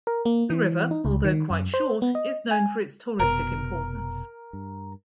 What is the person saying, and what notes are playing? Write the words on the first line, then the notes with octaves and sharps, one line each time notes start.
The river although quite short is known for its touristic importance.
A#4
A#3
E3
D#4
C#2
D#3
F#2
C5
B3
D#5
G#5
F1 B2 A#4
G2